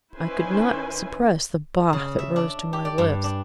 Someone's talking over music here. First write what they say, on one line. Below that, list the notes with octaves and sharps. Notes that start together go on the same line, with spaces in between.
I could not suppress the "bah!" that rose to my lips.
D#3 C#4 E4 B4 C5 G#5
C#3
E5
D4
G4
D5
G2
D4